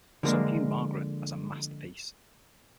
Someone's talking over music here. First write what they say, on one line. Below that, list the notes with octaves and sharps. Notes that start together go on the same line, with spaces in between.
Some view "Margaret" as a masterpiece.
D3 F3 G#3 A#3 D4